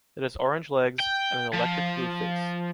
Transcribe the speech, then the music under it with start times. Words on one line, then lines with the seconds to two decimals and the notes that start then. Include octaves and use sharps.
It has orange legs, and an electric blue face.
1.00 G5
1.53 F3